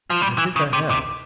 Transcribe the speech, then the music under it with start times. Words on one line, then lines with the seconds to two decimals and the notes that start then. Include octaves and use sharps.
"I think I have."
0.10 F3
0.22 G3
0.38 E3
0.56 C#3
0.73 C3
0.90 C3